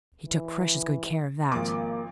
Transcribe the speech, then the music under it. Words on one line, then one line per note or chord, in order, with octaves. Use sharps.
He took precious good care of that.
E3
G#1 F3 A#3 D6